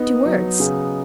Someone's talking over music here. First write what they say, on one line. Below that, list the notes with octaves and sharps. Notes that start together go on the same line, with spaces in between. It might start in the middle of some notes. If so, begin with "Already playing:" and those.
"Two words?"
Already playing: B3 D#4
F#3
C#3